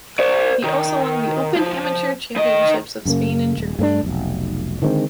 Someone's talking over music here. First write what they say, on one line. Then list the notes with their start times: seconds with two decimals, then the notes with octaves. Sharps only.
He also won the open amateur championships of Spain and Germany.
0.19 C5 D5
0.64 D#3
1.57 F3
2.36 D#3 D#5
3.05 F#2 C#3 A#3
3.58 D#1
3.79 G2 A3 B3 D4
4.03 F1 B1
4.82 D3 D#3 G#3 C4